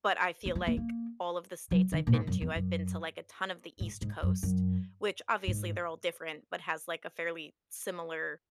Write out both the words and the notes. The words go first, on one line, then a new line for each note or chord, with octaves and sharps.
but I feel like all of the states I've been to, I've been to, like, a ton of the East Coast, which obviously, they're all different, but has, like, a fairly similar,
A#3
G#3
A#3
A#3
F#3
D#3
A#2
G#2
F#2
E2
F#2
G#2
G#2
F#2
F#2
G#2